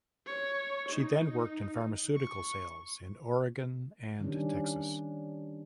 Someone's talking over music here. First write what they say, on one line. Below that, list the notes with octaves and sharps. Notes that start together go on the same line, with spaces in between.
She then worked in pharmaceutical sales in Oregon and Texas.
C#5
D#4
C#6
D#3 G3 C#4 D4